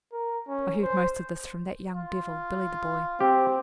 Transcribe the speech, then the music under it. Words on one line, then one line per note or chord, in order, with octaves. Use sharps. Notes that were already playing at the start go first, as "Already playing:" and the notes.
'I heard most of this from that young devil, Billy the Boy.
A#4
C#4
C5
F4
C4 G4